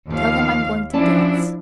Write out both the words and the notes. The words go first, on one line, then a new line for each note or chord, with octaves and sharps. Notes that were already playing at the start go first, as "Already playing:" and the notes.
Tell them I'm going to dance.
D#2 F3 F5
F3 C#4 D4 E4 D5 A5